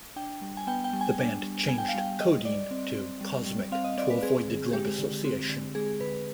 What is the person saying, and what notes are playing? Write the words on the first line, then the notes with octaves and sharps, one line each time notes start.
The band changed "codeine" to "cosmic" to avoid the drug association.
D4 G5
G3
G#5
B3 G5
G5
G3
G#5
D4
G3
B3 G#5
G5
F5
G3 G5
G3 D#5
G3 D5
C4
C4
G3
G3
C4 F5
D#5
C4 D5
B4
C4 G#4
D3
G#3 G4
D3
C4
D3
G#3 G#4
D3 B4